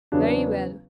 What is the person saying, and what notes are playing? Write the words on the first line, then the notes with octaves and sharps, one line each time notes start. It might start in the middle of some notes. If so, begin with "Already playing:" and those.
'Very well.
E2 C#3 F#3 B3 D4